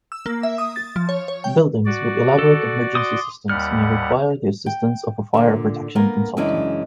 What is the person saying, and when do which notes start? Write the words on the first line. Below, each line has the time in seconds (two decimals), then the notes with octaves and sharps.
Buildings with elaborate emergency systems may require the assistance of a fire protection consultant.
0.12 E6
0.26 A#3
0.43 E5
0.58 D#6
0.76 A6
0.96 F3
1.09 C#5
1.28 C#5
1.44 G5
1.86 F#4 D5
2.39 A4
2.95 C6 D6 D#6
3.49 D#2 G3 F#5 F6
4.66 G5
5.34 A#2 D3
5.95 A#3 B3 A#4
6.37 F#2 C#3 E3 G#3 D4 E4